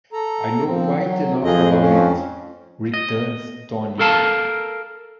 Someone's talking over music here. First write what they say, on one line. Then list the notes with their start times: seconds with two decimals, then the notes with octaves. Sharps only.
"I know quite enough about it," returns Tony.
0.13 A4 A#5
0.66 F3 C4
0.97 F#3
1.44 F2 G#4 D#5
1.79 C#4
2.94 D#5
3.99 A4 A#4 F5 A5